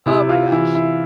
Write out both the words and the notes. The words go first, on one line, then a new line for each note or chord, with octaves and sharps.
Oh my gosh.
C3 E4
F4
E3 E4
E4